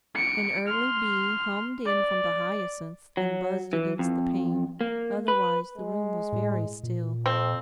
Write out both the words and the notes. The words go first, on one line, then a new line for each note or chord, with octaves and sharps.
An early bee hummed in from the hyacinths and buzzed against the pane. Otherwise the room was very still.
C#7 D7
C6 F6
D5
F#3
E3
F2
A#3
B4
G#3
A2
A#2
F2 C4